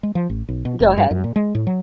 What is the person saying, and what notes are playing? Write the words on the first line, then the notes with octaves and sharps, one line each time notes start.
Go ahead.
G#3
F3
A1
B1
B2
F1
G2
F#2
A#2
G#3
A2
F#3